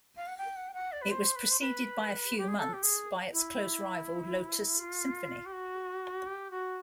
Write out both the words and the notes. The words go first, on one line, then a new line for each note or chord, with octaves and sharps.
It was preceded by a few months by its close rival Lotus Symphony.
F5
F#5
G5
F#5
G5
F#5
D5
B4
C5
B4
C5
B4
G4
G#4
A4
G4
G#4
E4
F4
G4
F#4
G4
F#4